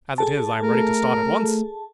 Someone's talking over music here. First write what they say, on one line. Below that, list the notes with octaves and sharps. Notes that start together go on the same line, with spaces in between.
As it is, I am ready to start at once.
G#4 A4 A5
A3 A#4